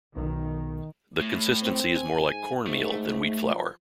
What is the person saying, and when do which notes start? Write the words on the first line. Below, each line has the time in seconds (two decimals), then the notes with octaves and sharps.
The consistency is more like corn meal than wheat flour.
0.17 B1 D#3
1.21 A2
1.63 C4
1.97 G#5
2.29 G#2
2.67 G#2 A3
3.48 F3